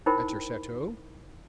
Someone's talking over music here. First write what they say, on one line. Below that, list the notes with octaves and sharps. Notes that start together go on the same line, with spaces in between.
"At your chateau."
D#4 E4 A#4 C5 G5 B5